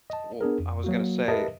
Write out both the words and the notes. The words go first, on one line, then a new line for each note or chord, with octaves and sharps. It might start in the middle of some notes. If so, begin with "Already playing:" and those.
Well, I was gonna say
D#5 A5
B3 D4 G#4 A#4
F2
F#3 A#3 F#4
G4 A#4 B4 D#5 E5 A5